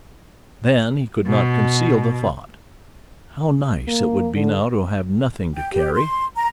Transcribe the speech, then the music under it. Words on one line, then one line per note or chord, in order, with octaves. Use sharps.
Then he could not conceal the thought: "How nice it would be now to have nothing to carry!"
B2
A#3
D3
G5
G4
C6
A#5